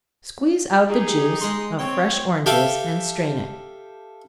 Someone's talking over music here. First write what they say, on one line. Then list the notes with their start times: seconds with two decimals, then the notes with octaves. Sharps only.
Squeeze out the juice of fresh oranges, and strain it.
0.88 D#4 G4 G#4
1.41 G#3 C6
1.79 C4 C#5 G5
2.46 G4 A4 E5 F5 G5